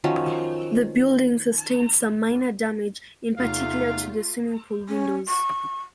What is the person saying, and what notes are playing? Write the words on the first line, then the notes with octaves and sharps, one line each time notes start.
The building sustained some minor damage, in particular to the swimming pool windows.
D#3 F3 F#3 C#4
E2 C3 A3 D#4 F4 F5
C#4
C#6